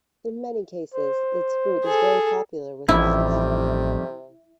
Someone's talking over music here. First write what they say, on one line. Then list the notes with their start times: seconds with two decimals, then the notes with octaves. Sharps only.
In many cases its fruit is very popular with wildlife.
0.94 C5
1.84 G#4 A4
2.89 A1 F2 C3 D#3 G3 E4